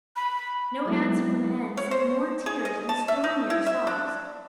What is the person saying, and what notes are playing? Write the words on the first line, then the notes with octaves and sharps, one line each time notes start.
No answer from Anne save more tears and stormier sobs!
B5
F#3 G#3 A3 B3 C4 E4
C#5
C5
G#4
D#5
A5
E5
D#4
E4
E5
D4